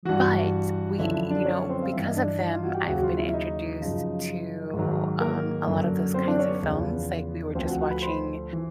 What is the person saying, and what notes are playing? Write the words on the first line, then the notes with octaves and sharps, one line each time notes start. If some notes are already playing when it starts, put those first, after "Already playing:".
but we you know, because of them, I've been introduced to, um, a lot of those kinds of films, like, we were just watching
G2 E3 F#4 F#5
F#2 D3 F3 E4 E5
D4 D5
C#4 C#5
C4 C5
F5
G2 E3 E5
D#5
D4 D5
D#4 D#5
F4 F5
F#4 F#5
G4 G5
D#2 C#3 F#3 F#4 F#5
F4 F5
E4 E5
D#4 D#5
F#2 C#3 F3
G#2 D#3 F#3
A#3 A#4
F#2 D3 F#3
C4 C5
D4 D5
C#4 C#5
B3 B4
E2 C#3 F3
D2 D3 F3 C4 C5
F#4 F#5
F#4 F#5
B4 B5
C5 C6
E3